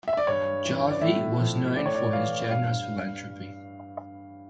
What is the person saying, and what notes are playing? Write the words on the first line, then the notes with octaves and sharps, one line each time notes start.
Jarvie was known for his generous philanthropy.
E5
D5
G2 C#5
E3
D5
A2 E5
F3
A2 D5
C#5
D5
E3 F5
G2 F5